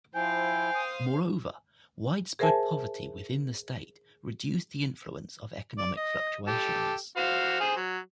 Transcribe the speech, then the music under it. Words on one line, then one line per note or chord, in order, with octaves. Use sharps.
Moreover, widespread poverty within the state reduced the influence of economic fluctuations.
F3 E4 C5 F5 G5 G#5
D#6
G#4 A#4 C5 E5 G#5 A5
D5
D#5
G4 A4
F#4 C5 F5
G#4 C5
F#3